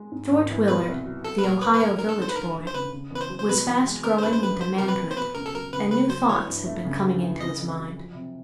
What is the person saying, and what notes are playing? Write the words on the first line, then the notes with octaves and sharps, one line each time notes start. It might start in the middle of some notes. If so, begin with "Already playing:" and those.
George Willard, the Ohio village boy, was fast growing into manhood and new thoughts had been coming into his mind.
Already playing: G#3
G#2
G#1
E3
B2 B4
C2
F#3
F#3 A4
B4
A#2 A#4
A#3 B4
B4
D#2 A#4
E1 A#4
A4
D#3 C5
B4
D2 A#4
E1
C5
C#3 B4
C#3
E2 B4
C5
F#3
C5
B2 B4
E2
G#3
D3 A#4
C5
F#2 B4
C5
F#3 B4
F3 C5
C3 A#4
B4
A#3
C5
B2 B4
C#2 A#4
A4
F#3 A#4
C#3 B4
C#2 B4
F#3 C5
E3 C#5
G2
A3
C#3
D2
E3
C#3 D#5
F2
F#3
F3
C3